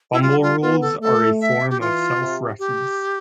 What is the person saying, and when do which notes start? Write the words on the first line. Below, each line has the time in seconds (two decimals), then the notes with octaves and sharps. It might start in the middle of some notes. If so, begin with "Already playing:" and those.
Fumblerules are a form of self-reference.
0.13 E4
0.22 G3 F4
0.42 F4
0.62 B3 F4
0.82 A4
1.01 A3 A4
1.41 E5
1.70 G4
1.80 E3 F4
2.20 C3
2.59 G4